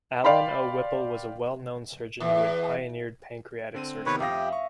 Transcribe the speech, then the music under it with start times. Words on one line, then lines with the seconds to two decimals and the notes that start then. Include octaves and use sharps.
Allen O. Whipple was a well-known surgeon who had pioneered pancreatic surgery.
0.24 D5 F5 G5 B5 C6
2.20 E2
3.74 D3 C4 D#7
4.06 C3 D#3 B3 B4 C#5
4.20 F2 G4 E5 F5 D#6 A#6
4.53 C#6